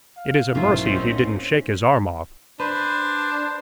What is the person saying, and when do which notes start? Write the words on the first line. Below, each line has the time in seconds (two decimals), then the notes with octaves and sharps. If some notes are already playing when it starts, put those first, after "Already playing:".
It is a mercy he didn't shake his arm off.
0.17 F5
0.55 B1 G#2 A#3 C#4 E4 F4 C5
0.85 C4 C#4 D#4 C5
2.60 D4 B4 C5